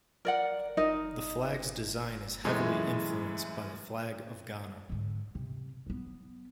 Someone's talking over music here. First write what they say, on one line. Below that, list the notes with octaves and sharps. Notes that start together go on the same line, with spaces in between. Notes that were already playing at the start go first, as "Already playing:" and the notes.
The flag's design is heavily influenced by the flag of Ghana.
A#4 D5 F#5
D#4 A#4 D#5
F#2 A2 E3 G#3
G#2 D3
C3
F#3 B3